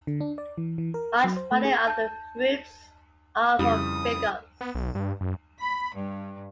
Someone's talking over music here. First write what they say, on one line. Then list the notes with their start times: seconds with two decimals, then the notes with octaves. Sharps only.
Large variety of the fruits are from "Ficus".
0.07 D3
0.21 D4
0.38 D5
0.58 E3
0.78 E3
0.94 A#4
1.24 F#3
1.37 C5
1.52 A3
1.65 G#4
1.88 A5 G6
3.59 F2 C#3 G3 E4 D#6
4.61 B3
4.75 B1
4.95 G2
5.21 F#2
5.61 B5
5.94 G2